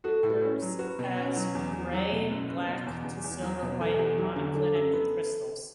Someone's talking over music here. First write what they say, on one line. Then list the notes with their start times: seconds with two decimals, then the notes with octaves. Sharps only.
It occurs as grey, black, to silvery white monoclinic crystals.
0.04 F#4 A4
0.23 A2
0.30 G4 B4
0.42 C#4
0.61 F#3
0.79 F#4 G4 B4
0.99 B2
1.17 C#4
1.36 F#3
1.55 E2
1.73 E2
1.93 F#3
2.12 B2
2.30 F#1
2.49 F#1
2.68 B2
2.86 E2
3.04 E2
3.24 E2
3.42 F#3
3.62 B2
3.80 E2 A4
3.98 E2 G4
4.18 F#3 G4
4.36 D3 G4
4.55 D4 A4
4.74 F#2
4.93 B3